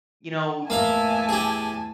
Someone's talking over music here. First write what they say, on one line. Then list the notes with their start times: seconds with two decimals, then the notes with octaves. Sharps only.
you know,
0.70 E2 A2 A#3 E5 F5 G#5 A5
1.29 G4 G#4